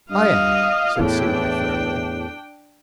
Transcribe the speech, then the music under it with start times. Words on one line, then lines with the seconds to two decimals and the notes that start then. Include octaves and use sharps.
"I am," said Celia firmly.
0.11 G2 D#5 F5
1.00 E2 A2 E3 D4 G5